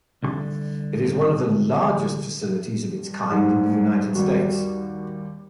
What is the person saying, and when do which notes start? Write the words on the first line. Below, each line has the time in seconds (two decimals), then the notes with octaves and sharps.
It is one of the largest facilities of its kind in the United States.
0.23 C2 D3
2.93 G2
3.30 G#2
4.15 D#2 G3 F#4